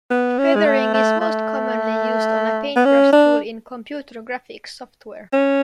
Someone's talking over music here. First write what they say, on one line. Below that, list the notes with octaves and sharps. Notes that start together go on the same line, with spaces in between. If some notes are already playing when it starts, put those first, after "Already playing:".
Feathering is most commonly used on a paintbrush tool in computer graphics software.
B3
C#4
G#3
A3
A3
A3
B3
C#4
D4
C#4